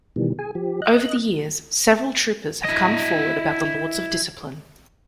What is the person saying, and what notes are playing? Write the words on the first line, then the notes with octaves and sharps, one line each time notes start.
Over the years, several troopers have come forward about the Lords of Discipline.
B2 D#3 E3 G3
G#4 G#5
F3 G4
D#5 F#6
E4 D#5